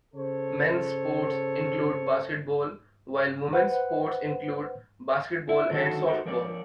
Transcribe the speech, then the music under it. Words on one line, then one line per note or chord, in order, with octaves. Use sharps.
Men's sports include baseball, while women's sports include basketball and softball.
C#3 A4 C5 C#5
B4 C5 F#5
E4
D3 D#3 F#3 D#4 F#4 A4
D#4 F#4 G4 A4 A#4 C5
F3 A#4 C#5 D5